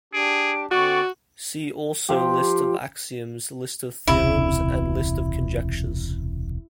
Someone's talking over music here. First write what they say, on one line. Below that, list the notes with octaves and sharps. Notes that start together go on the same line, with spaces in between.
See also list of axioms, list of theorems and list of conjectures.
D4 G4 G#4 D7
D3 C4 F#4 D5 C#6
F3 G4
E1 C#2 C3 E4